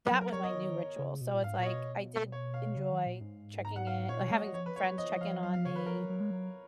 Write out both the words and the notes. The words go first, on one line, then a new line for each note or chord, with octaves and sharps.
that was my new ritual, so it's like, I did enjoy checking in like, having friends check in on me,
F#3 A#4
A#4
F#3 C#5
D#5
D#3
C#3
B2
A#2
G#2 F5
A#2 C#5
D#5
B2
C#5
F5
C#3
D#3
A#2
G#2
A#5
F#5
F5
A#2 C#5
B2
G#3 D#5
F#3
F3 C#5
B4
C#5
F#3
F3 D#5
F5
F#3 F5
F5
F3
C#3 C#5
D#3 B4
F3 A#4
F#3
F#3
G#3
F#3